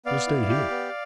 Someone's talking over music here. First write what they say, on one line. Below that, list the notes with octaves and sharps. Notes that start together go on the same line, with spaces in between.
We'll stay here.
B3 D5 F5
E4
G4
B3